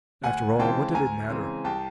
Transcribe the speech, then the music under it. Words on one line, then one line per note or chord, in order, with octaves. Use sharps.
After all, what did it matter?
D2 F#5 G#5
C#3 E3 G#3 C4 G5 A5
D2 G#5 A#5
C#3 E3 G#3 C4
C2 G5 A5